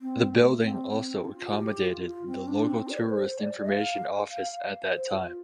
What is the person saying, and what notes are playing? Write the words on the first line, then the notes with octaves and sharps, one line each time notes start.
The building also accommodated the local tourist information office at that time.
C4
A3
C4
C4
F4
G4
F4
F4
C4
D4
C4
D5
A4
C5
D5
F5
F5
F5
C5
F4